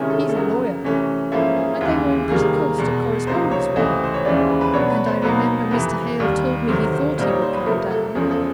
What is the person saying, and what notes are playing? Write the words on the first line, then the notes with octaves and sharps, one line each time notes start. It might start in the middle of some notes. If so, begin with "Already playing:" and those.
He's a lawyer, and they were in pretty constant correspondence with him; and I remember Mr. Hale told me he thought he would come down.
Already playing: C3 D#3 G#3 C#4 E4 G#4
A4
A4
F2 C#3 F#3 A#4
C3 E3 A3 C#4
G#2 F3 A#3 C#4 E4 A4
G#4
D#2 C#3 E3 G#3
C3 D#3 G3 A#3 G#4
A#4
E2 B2 G#3
C#2 C3 F3 A#3 D#4 C5
C#5
C#2 C3 E3 A3 C4 D#5
C5
C#5
D#2 C#3 E3 G#3 C#4 D5
C5
B4
B4
B2 F#3 B3 D4 C#5
B4
C5
B2 F#3 A#3 D#4 B4
F2 C3 E3 B4
D#2 D#3 G3
D2 C3 D#3 F#3 C5
C5
A#2 G3 C4 D#4 C5
C#5
C5
B4
F2 C3 F3 A3 A#4
A4
E2 C#3 F3 G#3 C#4 G#4
A4